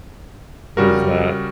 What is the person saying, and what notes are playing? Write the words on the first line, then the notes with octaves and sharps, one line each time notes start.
it was that.
C#3 G3 F#4 A#4